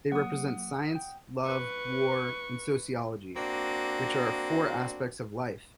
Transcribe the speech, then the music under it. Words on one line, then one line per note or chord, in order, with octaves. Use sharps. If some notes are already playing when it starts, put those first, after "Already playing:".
They represent science, love, war, and sociology, which are four aspects of life.
F#3 A#3 F#5 D#6
G5
B4 C#6
A#3 C4 D4 F#4